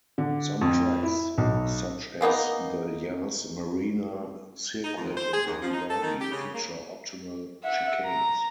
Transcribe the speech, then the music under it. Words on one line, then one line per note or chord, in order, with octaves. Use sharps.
Some tracks, such as the Yas Marina Circuit in Abu Dhabi, feature optional chicanes.
D3
F2
E4
B1
C#3 A#3 B3 D#4
D#4
F2
C5
G#4
D#2
F3
D#4
A4
D#3
G4
C#3
A#3
E5 F#5
A#5